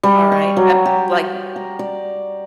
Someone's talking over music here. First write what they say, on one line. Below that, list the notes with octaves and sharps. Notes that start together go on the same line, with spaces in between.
All right. Uh like,
G3
C#6
F#3
G4
A#5
D5